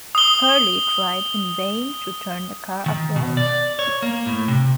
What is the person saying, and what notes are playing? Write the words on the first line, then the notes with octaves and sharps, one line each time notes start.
Purley tried in vain to turn the car upright.
D#6 G7
D#3
B2
D5
C#5
A#3
A2
C3